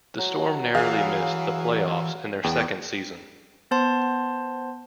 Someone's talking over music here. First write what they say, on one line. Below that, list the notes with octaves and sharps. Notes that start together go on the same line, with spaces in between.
The Storm narrowly missed the playoffs in their second season.
F#3
E3 G#4 F5
E2 B3 G5
B3 C5 A5 C6